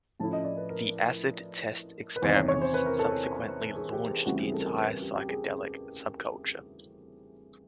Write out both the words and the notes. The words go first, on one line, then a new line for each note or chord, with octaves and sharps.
The Acid Test experiments subsequently launched the entire psychedelic subculture.
A2 F3 A3 C#4 E4 A5
D#5
D5
B4
A#4
A#4
B4
E2 C3 D#3 C5
C#5
C#5
C5
B4
A#4
A4
A4
G#4
G4
G#4
D2 C#3 E3 G3 C4 F#4
G#4
A4
A#4
B4
G4
G4
G#4
G#4